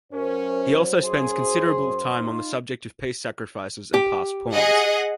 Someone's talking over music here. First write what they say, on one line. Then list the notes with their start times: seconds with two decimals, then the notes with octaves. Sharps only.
He also spends considerable time on the subject of piece sacrifices and passed pawns.
0.13 F#2 C#4 A#4 C5
1.04 G#4 C6
2.17 D#4 F4
3.94 G4
4.53 G#4 D#5 F#5